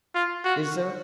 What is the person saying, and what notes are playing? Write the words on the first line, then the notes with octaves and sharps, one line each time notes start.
Is there?
F4
F#4